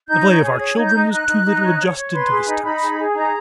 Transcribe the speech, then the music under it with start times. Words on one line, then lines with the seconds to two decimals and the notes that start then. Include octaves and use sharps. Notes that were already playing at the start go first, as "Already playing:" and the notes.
The play of our children is too little adjusted to this task.
0.08 D#4 G6
0.25 C#5
0.42 G#4
0.59 C#5 G#6
0.76 D#4
0.85 G6
0.93 D#4
1.10 D#4 F#6
1.27 D#4
1.44 D#4
1.61 C#5
1.79 C#5
1.95 C#5
2.12 B4 C6
2.30 G#4
2.46 D#4
2.64 D#4 B5
2.81 G#4
2.98 G#4
3.15 D#4 A#5